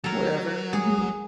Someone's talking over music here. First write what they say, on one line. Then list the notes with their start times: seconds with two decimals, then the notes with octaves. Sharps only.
whatever, mhm.
0.04 F#3 A4 A#4
0.73 G#4